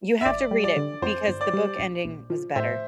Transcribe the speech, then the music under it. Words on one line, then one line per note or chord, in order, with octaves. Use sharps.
you have to read it because the book ending was better.
E5
G1 D5
G3
D5
D3
F2 C5
G1
D5
G3
A#1
A#1
F3
A2 C5 E5